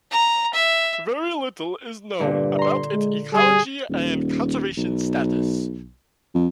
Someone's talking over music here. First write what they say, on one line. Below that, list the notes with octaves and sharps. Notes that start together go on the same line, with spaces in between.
Very little is known about its ecology and conservation status.
A#5
E5
G2 A#2 D3
A#5 C6
G#3
G3 G#4
D#1
B1
F2